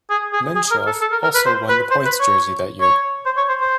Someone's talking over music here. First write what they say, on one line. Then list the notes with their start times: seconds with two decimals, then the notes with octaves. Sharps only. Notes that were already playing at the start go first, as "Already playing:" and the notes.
Menchov also won the points jersey that year.
0.10 G#4
0.33 G#4
0.55 G#4
0.71 A#4
0.86 A4
1.01 A4
1.12 A#4
1.23 A#4
1.35 B4
1.46 C5
1.69 B4
1.91 C5
2.05 B4
2.20 C#5
2.81 C#5
3.26 C5
3.37 C#5
3.49 C5
3.60 C5